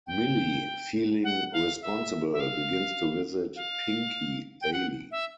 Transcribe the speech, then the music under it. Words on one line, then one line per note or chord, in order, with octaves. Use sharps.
Millie, feeling responsible, begins to visit Pinky daily.
G5
F#5
F5
E5
E5
F5
F5
G5
F#5
E5